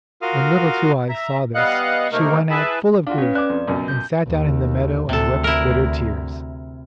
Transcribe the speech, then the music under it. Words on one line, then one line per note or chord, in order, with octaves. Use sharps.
When Little Two-eyes saw this, she went out full of grief, and sat down in the meadow and wept bitter tears.
F4 F#4 A#4 F5 D#6 F6
E5 A#5
G3 B3 D#5 F5 F#5 F#6
C3 A3 A#3 D#4 A#4
E4 G#4 B4 E5 A5 B5
D4 F4 F#4 F5
C#4 B4 C#5
D5 D6 F#6
F2
C#2 F#2 B2
G6
D#2
D2 C3 A4
E4 A#4